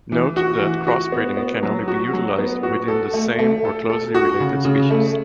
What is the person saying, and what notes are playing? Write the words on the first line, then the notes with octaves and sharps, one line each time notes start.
Note that crossbreeding can only be utilized within the same or closely related species.
E3
F#4
E3
F#4
B3
B3
F#3
F#4
F#3
B3
F#4
A4
A3
A3
A4
A4
F#4
C#3
C#3
A3